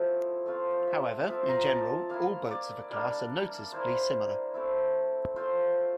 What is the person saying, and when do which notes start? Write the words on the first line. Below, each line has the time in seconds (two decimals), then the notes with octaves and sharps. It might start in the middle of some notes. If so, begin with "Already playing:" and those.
However, in general, all boats of a class are noticeably similar.
Already playing: F3 A3 C4 E4 F5
0.46 A3 C4 F4
0.87 E5
1.28 F3 C4 F4 E5
1.48 A#5
1.69 A5
2.09 A#3 E4 F5
2.51 D5
2.91 G3 A#3 D4
3.72 A#3 E4 C5
4.54 A3 C4 E4
5.36 A3 C4 F4 C5